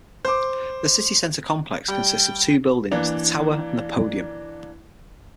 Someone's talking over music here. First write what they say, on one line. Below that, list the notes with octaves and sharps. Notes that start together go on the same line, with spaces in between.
The Centre City complex consists of two buildings, the Tower and the Podium.
C5 D6
G3 G5
E3 A#3 D4